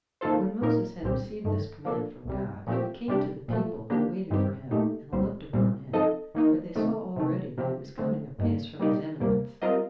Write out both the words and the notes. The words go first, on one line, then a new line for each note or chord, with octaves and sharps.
When Moses had received this command from God, he came to the people, who waited for him, and looked upon him, for they saw already that he was coming apace from his eminence.
D#3 A#3 F4 A4 C5
A#2 F3 A#3 D#4 A#4
C2 A#2 G3 C4 G4
G2 D#3 A3
F3 A#3 D4 A4
C2 C3 G3
A#2 F3 A3 C4 G4
C3 G3 D4 G4
A#2 F3 A3
D3 F3 A#3 D4 G4
G2 D#3 G3 C4 G4
A#2 A3 D#4 G4
C2 A#2 G3 C4
C2 A#2 G3 C4
F3 C4 D#4 A4 D#5
D#3 A#3 D#4
C3 D#3 A3
C3 D#3 A3
C3 F3 C4 G4
D3 A3 C4
G2 D#3 A#3
G3 A#3 D#4 G4 D5
D2 C3 G3 A#3
G3 C4 F4 A#4 D#5